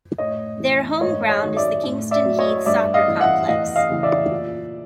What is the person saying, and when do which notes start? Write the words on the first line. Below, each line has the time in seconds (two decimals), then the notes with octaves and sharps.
Their home ground is the Kingston Heath Soccer Complex.
0.18 A2 C#5 D#5
0.60 E3
1.01 G#2 C#5 D#5
1.29 C#5 D#5
1.43 D#3 F#3
1.56 D5 E5
1.84 A2
2.11 D5 E5
2.25 F#3
2.39 C#5 D#5
2.66 G2 D5 E5
2.94 D#5 F5
3.08 E3
3.21 E5 F#5
3.48 E2 D#5 F5
3.76 D#5 F5
3.89 C#3 E3
4.03 D5 E5
4.31 A#2